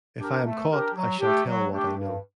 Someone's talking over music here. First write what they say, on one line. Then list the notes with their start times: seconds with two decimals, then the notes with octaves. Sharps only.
If I am caught I shall tell what I know.
0.18 D4 G4 A#4
0.43 A3
0.69 D4 G4 A#4
0.94 F#3
1.20 A3 D4 G4
1.46 F#3
1.71 A3 D4 G4
1.97 G2